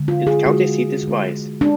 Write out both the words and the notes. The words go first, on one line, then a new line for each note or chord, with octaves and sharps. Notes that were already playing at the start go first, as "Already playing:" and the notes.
Its county seat is Wise.
Already playing: D3 G#3
F4
G#4
D3 G#3 F#4
D3 G#3
G#3 D4